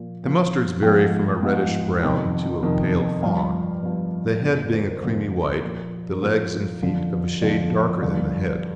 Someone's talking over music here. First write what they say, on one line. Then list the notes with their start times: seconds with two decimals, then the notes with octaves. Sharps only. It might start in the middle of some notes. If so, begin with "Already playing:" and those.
The mustards vary from a reddish brown to a pale fawn, the head being a creamy white, the legs and feet of a shade darker than the head.
Already playing: A#2 F3
0.23 A#2 F3
0.83 G#2 F3 G5
1.43 G#2 F3
2.03 F2 C3 D#3 G5
2.63 F2 C3 D#3
3.23 G2 F3 F5
3.83 G2 F3
4.43 F2 D3 F3
4.57 D5
4.73 C5
4.87 A#4
4.97 C5
5.02 F2 D3 F3 A#4
5.63 A#2 F3
6.13 A#4
6.22 A#2 F3 C5
6.82 F2 D3 F3
7.42 F2 D3 F3 D5
8.02 G2 D3 F3